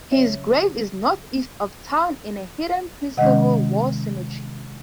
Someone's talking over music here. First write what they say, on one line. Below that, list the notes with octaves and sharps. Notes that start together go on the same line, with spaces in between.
His grave is northeast of town in a hidden pre-Civil War cemetery.
C#3 F#3 C#4 C#5 E5
C3 D#3 G#3 C#4 D#5 F#5